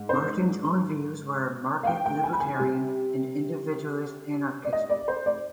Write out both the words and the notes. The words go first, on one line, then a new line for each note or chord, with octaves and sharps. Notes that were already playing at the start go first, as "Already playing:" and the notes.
Martin's own views were market-libertarian and individualist anarchist.
Already playing: G#2
C5
F5
G5
G5
G#5
B5
G#5
C3 G3
D5
D#5
D5
C5
D5